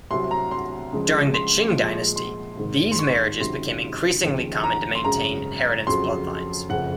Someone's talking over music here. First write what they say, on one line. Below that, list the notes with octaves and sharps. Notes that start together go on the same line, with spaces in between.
During the Qing dynasty, these marriages became increasingly common to maintain inheritance bloodlines.
C2 C3 F#3 C6
A#5
C6
C#2 C#3 F3 G#3
C6
C2 A#2 F3 G#3
C6
G#1 G#2 D#3
C6
C#6
C#2 C3 D#3 F#3 C6
D#2 C#3 F3
A#5
C6
G#1 F#2 C#3 A#5
F2 C#3 F#3 C6
F#1 F2 C#3 F#5